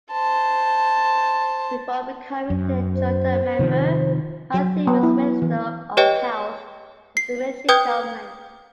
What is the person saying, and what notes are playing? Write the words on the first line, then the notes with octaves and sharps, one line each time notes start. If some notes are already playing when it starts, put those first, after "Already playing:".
Before becoming a junta member, Matthei was Minister of Health of the military government.
C5 A5
F#2
C5
C3 D#3 F3
F#3
B3
E4
E3
G4 B4 C#5 D#5 G5
C7
B4 G5 D#6 G6 G#6